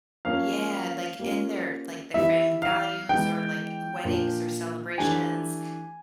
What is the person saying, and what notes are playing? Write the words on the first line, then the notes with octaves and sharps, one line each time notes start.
Yeah, like, in their like, their family values or, like, weddings or celebrations.
F3 A#3 C#4 F5
G3 A#3 C#4 F4
E3 G3 B3 E4 E5
F5
E3 G#3 B3 G5
A#2 F3 A#3 D4
E3 A3 D4 G4 G#5